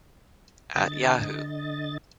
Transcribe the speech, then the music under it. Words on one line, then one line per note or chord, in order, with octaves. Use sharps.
At Yahoo!
D3 D#5 A6